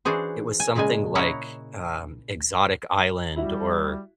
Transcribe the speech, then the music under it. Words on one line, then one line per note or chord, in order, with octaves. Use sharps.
it was something like, um, Exotic Island or,
E3 D4 F#4 G#4 C5
G#5
A#2 C#3 G#3 A#3 G#5
C#4 E4 A#4 C#5 D#5 F#5
G3 E4 F#4 E5